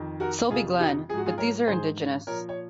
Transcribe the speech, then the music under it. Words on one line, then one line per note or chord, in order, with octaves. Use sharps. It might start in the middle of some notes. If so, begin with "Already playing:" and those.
Sulby Glen, but these are indigenous.
Already playing: F2 D#3
F#4 A#4
F2 C3 F3 F4 G#4
D#4 F#4
G#2 F3 F#4 G#4
F4 G#4
A#4 C#5
G#2 D#3 G#4 C5
A#2 F3 A#4 C#5
C#5